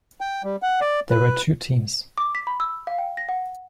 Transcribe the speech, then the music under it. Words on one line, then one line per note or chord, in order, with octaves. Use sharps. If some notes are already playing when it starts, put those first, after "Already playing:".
There were two teams.
G5
G3
F#5
D5
B4
D6
B6
B5
E6
F5
G5
A#6
F#5